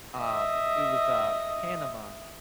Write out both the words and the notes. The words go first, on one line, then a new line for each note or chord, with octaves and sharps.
um, it was, uh, Panama,
D#5 E5